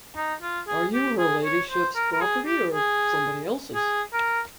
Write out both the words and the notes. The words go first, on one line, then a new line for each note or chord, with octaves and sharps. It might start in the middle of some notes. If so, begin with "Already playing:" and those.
Are you her ladyship's property, or somebody else's?
D#4
F4
G#4
G4
G#4
C#5
C5
A#4
A#4
G#4
G4
G#4
G#4
A#4